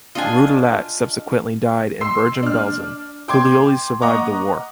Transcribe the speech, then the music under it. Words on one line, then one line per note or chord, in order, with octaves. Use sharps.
Rudellat subsequently died in Bergen-Belsen; Culioli survived the war.
D4 F4 D#5 G#5
C6 E6 C7
D4 F6
G5 C6 D6 G#6
D#5 F#5 A#5 C#6 D6